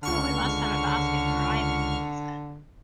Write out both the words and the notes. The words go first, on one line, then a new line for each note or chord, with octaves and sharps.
"But we must have a basket to ride in," he said.
C#2 D3 C#6 F6